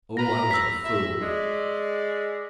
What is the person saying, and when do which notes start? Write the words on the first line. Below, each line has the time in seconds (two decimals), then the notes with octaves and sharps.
Oh, I was a fool!
0.17 A#4 B4 A#5 A#6
0.51 E6 B6
0.85 E5
1.22 G#3 D5